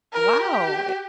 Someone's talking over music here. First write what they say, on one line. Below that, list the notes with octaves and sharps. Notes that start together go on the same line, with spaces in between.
Wow, it
A#4
G4